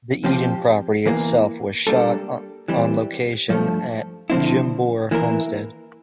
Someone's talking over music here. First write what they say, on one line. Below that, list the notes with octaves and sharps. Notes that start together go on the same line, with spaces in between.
The "Eden" property itself was shot on location at Jimbour Homestead.
F3 C4 G4
E2 E3 A#3
G3 A#3 D4 A4
E3 G3 C4
G2 F3 A3
D3 F3 C4 E4
E3 A#3 E4 A#4